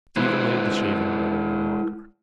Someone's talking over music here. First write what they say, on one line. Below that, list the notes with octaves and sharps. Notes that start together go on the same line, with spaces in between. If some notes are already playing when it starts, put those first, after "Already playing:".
Stephen laid the shavingbowl on the locker.
G#3 E4 B4 C5